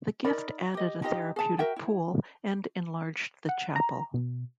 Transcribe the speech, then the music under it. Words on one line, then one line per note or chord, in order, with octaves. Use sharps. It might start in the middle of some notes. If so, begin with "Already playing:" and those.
The gift added a therapeutic pool and enlarged the chapel.
D#4 A#4 D5 B5
G4 D#5
D#4 F4 G4 D#5
G#4 A5
F#4 A#4 E5 G5
E4
F#5
A#5
B2